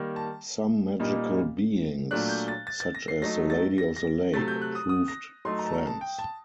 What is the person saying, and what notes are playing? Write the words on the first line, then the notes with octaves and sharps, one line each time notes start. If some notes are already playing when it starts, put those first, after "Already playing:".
Some magical beings, such as the Lady of the Lake, proved friends.
Already playing: D#3 G3 A#3
A5
A#2 G3 A#3 D#4
A#2 F#3 A3 D4 F#6
G6
A6
A6
A6
A#6
C7
F#3 A3 D#4 A#6
A6
A#6
A#6
C3 F#3 A3 A6
G6
F#6
D#6
D#6
A#6
F#3 A3 D#4 C6
A#5
A5
A#5
A5
G5
A5